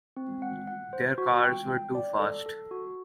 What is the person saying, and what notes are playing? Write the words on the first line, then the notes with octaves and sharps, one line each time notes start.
Their cars were too fast.
C4
F#5
F#5
C5
F#4
G5
G5
D5
A4
A4
F#4